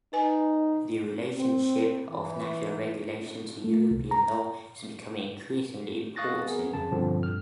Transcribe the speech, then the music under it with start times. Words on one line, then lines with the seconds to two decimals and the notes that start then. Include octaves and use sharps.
The relationship of national regulations to European law is becoming increasingly important.
0.13 D#4 B4 G#5
1.36 C4
2.10 E3
3.64 A3
3.91 C2
4.11 A#5
6.16 F5 C#6 D#6 F#6 A6 A#6
6.46 B3 G#4 A#4
6.74 F2 C#3 A5
6.91 G2 B2 D3 F3 C4
7.23 G2 F6